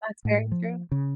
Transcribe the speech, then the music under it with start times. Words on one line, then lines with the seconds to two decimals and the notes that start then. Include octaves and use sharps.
That's very true.
0.25 A2
0.52 F3
0.92 C#3